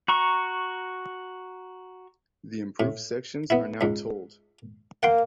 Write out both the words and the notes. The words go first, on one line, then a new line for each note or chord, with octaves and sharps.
The improved sections are now tolled.
F#4 A#5 C#6
A2
B3 E4
C#2 G#2
A#3 F#5 G5 C6